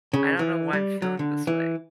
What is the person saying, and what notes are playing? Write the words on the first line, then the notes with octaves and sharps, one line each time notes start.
"I don't know why I'm feeling this way,
C#3
E3
G3
F#3
D3
E3